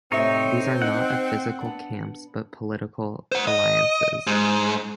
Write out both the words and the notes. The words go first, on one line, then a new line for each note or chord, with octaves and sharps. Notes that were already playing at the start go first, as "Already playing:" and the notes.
These are not a physical camps but political alliances.
A2 C3 C4 D#4 C#5 E5
D#4 F#5
B3 D4
C5 F#5
D#5
G#2